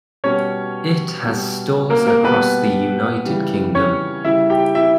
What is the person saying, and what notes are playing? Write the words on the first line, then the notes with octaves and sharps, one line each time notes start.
It has stores across the United Kingdom.
B2 G3 C#4 C#5
B2 G3
A#3 A#4
A#3 A#4
B2 G3 B3 B4
C#3 E3 G3
C#4 C#5
C#3 G3 E4 E5
G4 G5
E4 E5